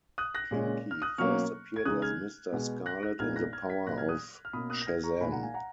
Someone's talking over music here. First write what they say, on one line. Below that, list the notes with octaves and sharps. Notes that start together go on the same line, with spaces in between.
Pinky first appeared as Mr. Scarlet in The Power of Shazam!
D#6 F#6
F#6 A#6
A#2 G#3 C#4
F6
D#6 F#6
B2 F#3 A#3 C#4 C#6 F6
G#6
C#3 G#3 D#4 D#6 F#6
F6 G#6
B2 G#3 B3
F#6 A#6
F#6 A#6
A#2 G#3 B3 D#4 F6 G#6
F#6 A#6
F6 G#6
G#6 B6
A#2 F#3 A#3 F#6 A#6
F6 G#6
D#6 F#6
F6
B2 A#3 C#4 B5 D#6
D#6 F#6
A#6
F6 G#6
A#5 C#6
A#2 G#3 D#4 G#5 B5
F#5 A#5
F5 G#5
F#5 A#5